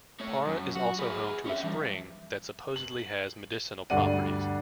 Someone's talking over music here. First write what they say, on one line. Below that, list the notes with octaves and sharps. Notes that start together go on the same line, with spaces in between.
Para is also home to a spring that supposedly has medicinal properties.
A3 C#5
F#2
F#4
G#4 B4
C#4 E5
E2 G2
F#7
D2 G2 D5 F#5 D#7